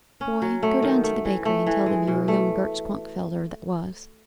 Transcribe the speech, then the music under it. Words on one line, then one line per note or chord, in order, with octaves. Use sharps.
Boy, go down to the bakery and tell them you are young Gert Schwankfelder that was.
C#4
F#3
A3
D#3
A3
E3
A3
E3
G#3
B2
A3